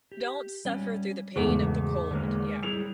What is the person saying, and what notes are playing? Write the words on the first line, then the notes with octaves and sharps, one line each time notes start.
Don't suffer through the pain of the cold, yeah.
G4
G3 C#4
E2 G#2 C#3 A3 F#4
D3 G#3 A#3
G3 E4 G#4 F7